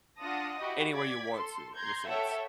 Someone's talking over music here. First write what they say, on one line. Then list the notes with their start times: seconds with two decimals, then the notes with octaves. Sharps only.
anywhere you want to, in a sense.
0.20 D4 F4 F#5 A5 D#6 A#6
0.60 E4 F#4 G4 D#5
0.93 D5 G#6 B6
1.34 A4 C6
1.74 A#5 C6 G6 G#6
2.07 A4 C#5 E5 F#5 G5